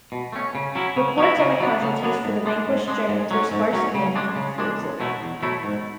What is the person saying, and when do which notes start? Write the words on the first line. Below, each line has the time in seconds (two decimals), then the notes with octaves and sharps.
Reports on the casualties for the vanquished Germans were sparse and inconclusive.
0.12 B2
0.33 A3 C#4
0.55 C#3
0.75 F#3 C#4 E4
0.96 C#3
1.18 F#3 C#4 E4
1.39 C#3
1.60 F#3 B3 D4
1.82 C#3
2.03 F#3 B3 D4
2.24 G#2
2.45 G#3 D4
2.67 G#2
2.88 G#3 D4
3.09 G#2
3.31 F#3 C#4
3.51 G#2
3.73 F#3 C#4
3.94 C#3
4.16 G#3 D4
4.36 C#3
4.58 G#3 D4
4.78 E2
5.00 B2 F#3 A3 E4
5.21 E2
5.42 B2 F#3 A3 E4
5.64 G#2